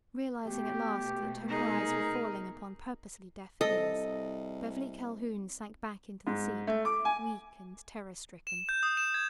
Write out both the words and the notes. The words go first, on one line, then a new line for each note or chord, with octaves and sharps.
Realizing at last that her cries were falling upon purposely deaf ears, Beverly Calhoun sank back into the seat, weak and terror-stricken.
B2 A3 G4
D#4 G#4 A#4
C2 A4 D#5
G#2
A3
D6
G#5
E7
G6
D#6
E7
G#6